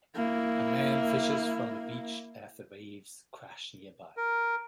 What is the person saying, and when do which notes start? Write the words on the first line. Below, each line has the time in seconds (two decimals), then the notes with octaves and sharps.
A man fishes from a beach as the waves crash nearby.
0.15 A#3 E4
4.17 A#4